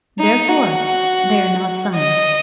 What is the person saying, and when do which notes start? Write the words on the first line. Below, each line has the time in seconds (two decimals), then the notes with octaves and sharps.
Therefore they are not signs.
0.19 D#4
0.48 F#4
1.95 D#5